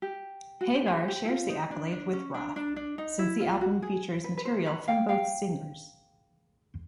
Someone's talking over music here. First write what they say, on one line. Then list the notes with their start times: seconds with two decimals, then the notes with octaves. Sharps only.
Hagar shares the accolade with Roth, since the album features material from both singers.
0.02 G4
0.61 F#4
0.74 G4
0.86 G#4
1.08 G4
1.25 E4
1.29 F4
1.49 D#4
1.71 D4
1.92 D4
2.13 C#4
2.34 D4
2.56 D4
2.76 D4
2.98 D#4
3.19 E4
3.40 F4
3.61 F#4
3.82 G#4
4.24 B4
4.37 B4
4.45 C5
4.66 B4 C#5
4.88 F5 G5
5.09 F5 G5